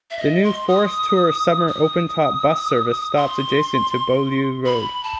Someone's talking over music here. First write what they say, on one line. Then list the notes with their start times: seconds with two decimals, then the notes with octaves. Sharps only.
The New Forest Tour summer open top bus service stops adjacent to Beaulieu Road.
0.11 E5
0.18 D#5
0.44 C6
0.68 D#6
1.68 D#6
3.16 C6
4.66 B5
5.04 A5